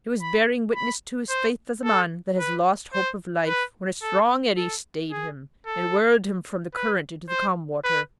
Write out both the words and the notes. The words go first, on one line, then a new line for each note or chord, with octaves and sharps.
He was bearing witness to his faith as a man that has lost hope of life, when a strong eddy stayed him, and whirled him from the current into the calm water.
B5
B5
C5
A4
B4
C5
B4
A4
A4
G#4
A4
B4
C5
B4